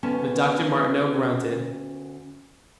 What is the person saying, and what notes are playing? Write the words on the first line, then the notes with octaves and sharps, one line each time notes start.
But Dr. Martineau grunted.
D2 B3 C#4 A5